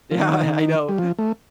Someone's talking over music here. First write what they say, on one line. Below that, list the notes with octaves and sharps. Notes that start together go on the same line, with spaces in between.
Yeah, I I know.
F3
D#3
G3
F3
A3